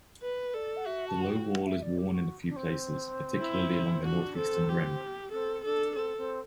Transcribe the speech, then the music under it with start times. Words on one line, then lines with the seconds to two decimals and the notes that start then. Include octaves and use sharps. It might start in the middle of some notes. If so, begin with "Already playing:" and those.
The low wall is worn in a few places, particularly along the northeastern rim.
0.23 B4
0.54 A4 D5
0.77 F#5
0.86 F#4 E5
1.08 A5
1.22 F#5
1.29 G5
1.50 F#5
1.66 E5
1.82 D5
1.98 G4
2.14 F#4
2.48 D4
2.56 C4
3.40 E4
4.04 D4 F#4
4.37 C4 A4
4.69 G4
5.32 C4 A4
5.65 D4 A4
5.96 C4 A4
6.17 C4